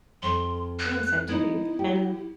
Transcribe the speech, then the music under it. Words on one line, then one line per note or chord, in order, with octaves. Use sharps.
I think so too, and,
F2 C6
F#6
B3 D#4 E4
G4